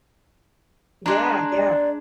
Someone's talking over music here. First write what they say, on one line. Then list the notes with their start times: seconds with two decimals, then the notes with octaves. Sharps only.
Yeah. Yeah.
1.06 G#3 D4 A#5 C6 F#6
1.52 D5